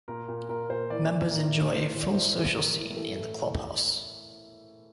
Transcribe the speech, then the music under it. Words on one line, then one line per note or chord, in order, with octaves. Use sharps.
Members enjoy a full social scene in the clubhouse.
A#2 A#4
A#2
A#2 A#4
A#2 C5
E3 D5
E3
A2 A#4
A2
A2 C5
C5
A2
D5
E3 C5
A2
A2 A#4
E3
E3 A4
A2 A4